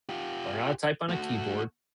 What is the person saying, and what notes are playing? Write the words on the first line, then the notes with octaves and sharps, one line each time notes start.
learn how to type on a keyboard,
F4 G4
A3 F#4